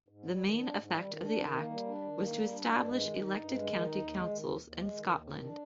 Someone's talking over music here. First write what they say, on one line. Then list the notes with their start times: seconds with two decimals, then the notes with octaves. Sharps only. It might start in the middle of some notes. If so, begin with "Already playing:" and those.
The main effect of the Act was to establish elected county councils in Scotland.
0.08 G#2
0.25 G3
0.41 D#3
0.58 D4
0.74 G#2
0.90 G3
1.06 D#3
1.22 D4
1.38 D#3
1.55 A#3
1.70 G3
1.87 D4
2.03 D#3
2.19 A#3
2.35 G3
2.52 D4
2.68 G2
2.84 G#3
3.00 D#3
3.16 D#4
3.32 G2
3.49 G#3
3.64 D#3
3.81 D#4
3.98 D#2
4.14 G#3
4.30 D#3
4.45 D#2
4.62 D#2
4.78 G#3
4.94 D#3
5.10 D#2
5.27 D#3
5.43 D4